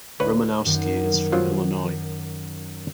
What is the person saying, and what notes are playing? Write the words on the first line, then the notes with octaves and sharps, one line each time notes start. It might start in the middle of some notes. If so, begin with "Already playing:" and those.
Romanowski is from Illinois.
D2 B4 C#5
F#2 D#3
F3 F#3 F4